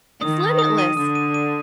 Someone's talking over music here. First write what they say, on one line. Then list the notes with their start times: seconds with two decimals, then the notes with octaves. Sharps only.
It's limitless.
0.21 D#3 D#6
0.41 D#6
0.59 D#6
0.78 D#7
0.97 D3 D#6
1.15 D#7
1.34 D#7